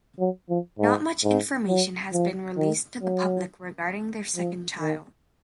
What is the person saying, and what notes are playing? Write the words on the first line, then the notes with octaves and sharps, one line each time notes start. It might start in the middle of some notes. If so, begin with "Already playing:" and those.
Not much information has been released to the public regarding their second child.
F#3
F3
G#2
G#2
F#3
F3
D#3
F#3
F3
D#3